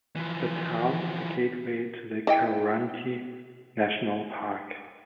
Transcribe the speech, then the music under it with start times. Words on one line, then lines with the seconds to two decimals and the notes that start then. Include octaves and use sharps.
The town is a gateway to the Kahurangi National Park.
0.16 E3 F3
2.27 E3 D#5 G5